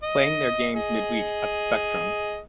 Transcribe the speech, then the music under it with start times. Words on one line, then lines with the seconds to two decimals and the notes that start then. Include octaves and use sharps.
Playing their games midweek at the Spectrum.
0.03 D#5
0.75 G#4 D#5